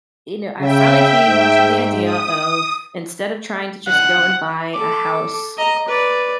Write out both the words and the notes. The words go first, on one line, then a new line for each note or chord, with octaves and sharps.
you know, I finally came to the idea of, instead of trying to just go and buy a house
C#3 E5 G5
G#2
D#6
F#5
A4 D6
D#5 A#5
B4 D5